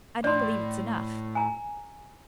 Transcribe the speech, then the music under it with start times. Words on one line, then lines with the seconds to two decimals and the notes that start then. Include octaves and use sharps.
I don't believe it's enough.
0.24 A2 D5 C6
1.35 G#5 A#5